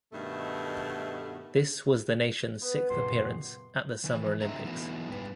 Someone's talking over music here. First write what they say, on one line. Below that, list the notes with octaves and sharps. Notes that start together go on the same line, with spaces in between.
This was the nation's sixth appearance at the Summer Olympics.
G2 B2 D#3 A3
B3 B4
F#2 A#2 C#3 G4 C6
D#3 E3
A2 D3 C4 D#5 E5 A#5
E3 F#3 A3 B3 D#4 E4
G#2 G3 B4